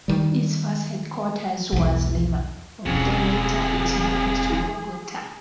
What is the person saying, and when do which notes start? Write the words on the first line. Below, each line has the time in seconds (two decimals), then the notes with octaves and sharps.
Its first headquarters was Lima, although later it moved to Bogota.
0.08 D#3 G3
1.73 B1 E2
2.86 E1 F2 F#3 C#4 G#4